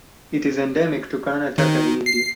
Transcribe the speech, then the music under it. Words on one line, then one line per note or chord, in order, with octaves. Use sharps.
It is endemic to Karnataka in India.
D#3
C7